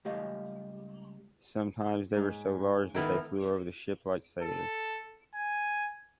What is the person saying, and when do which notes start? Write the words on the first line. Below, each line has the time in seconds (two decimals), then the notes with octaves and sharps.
Sometimes they were so large that they flew over the ship like sails.
0.05 C#2 G3 A3 G4 D#5 F5
2.16 G#2
2.94 D#3 B3 E4 A4 G5 F6
4.42 A4
5.35 G#5